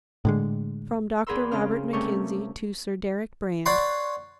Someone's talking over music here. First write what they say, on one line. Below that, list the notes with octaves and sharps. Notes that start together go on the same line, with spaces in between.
From Dr. Robert Mackenzie to Sir Deryck Brand.
A2 D3 G#3
E2 G#4 A#4 B5 C6 E6
C#3 C4 C#4 F6
C3 G3 A3 C#4 A#4 C#6
B4 C#5 D5 F#5 B5 C6